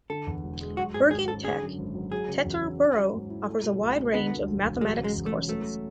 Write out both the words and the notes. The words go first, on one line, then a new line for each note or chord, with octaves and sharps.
Bergen Tech - Teterboro offers a wide range of mathematics courses.
D3 A4
E2
E1
G#3
F#3 F#4
G#2 G#4
G#1 G#4
C#4 A4
D3 G#4
F#2
G#1
F#3
F#3 G#4
C#3
E2
C#4
C#4
F#3
G#2
E4
A3
B2
C#2
C#4
D3 B3
D2
E1
E1
F#3 G#3
C#3
G#3
E2
A3
C#4
F#3 A3